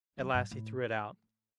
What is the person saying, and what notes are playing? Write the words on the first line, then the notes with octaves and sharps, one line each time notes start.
At last he threw it out.
F#2
G2
A2